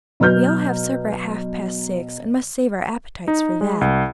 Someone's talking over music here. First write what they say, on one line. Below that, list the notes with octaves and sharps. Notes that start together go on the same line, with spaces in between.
"We all have supper at half past six and must save our appetites for that."
B2 F#3 B4 F6 G6
D#4
G#3
C2